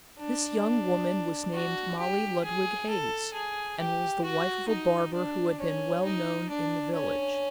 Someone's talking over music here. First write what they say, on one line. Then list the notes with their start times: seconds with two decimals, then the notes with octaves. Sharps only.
This young woman was named Molly Ludwig Hays, and was the wife of a barber who had been well known in the village.
0.19 D4
1.54 F#4
1.99 G4
2.44 G#4
2.88 A4
3.33 G#4
3.79 G4
4.24 F#4
4.68 D#4
5.14 D4
5.59 C#4
6.04 D#4
6.49 D4
6.94 C#4